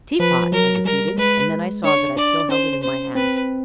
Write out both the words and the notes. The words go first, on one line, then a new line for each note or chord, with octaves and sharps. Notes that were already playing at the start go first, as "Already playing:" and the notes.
"Teapot?" I repeated, and then I saw that I still held it in my hand.
F3 B4
F#3 A#4
G3 A#4
G#3 B4
D4 C#5
D4 D5
C#4 C5
C5
C4 B4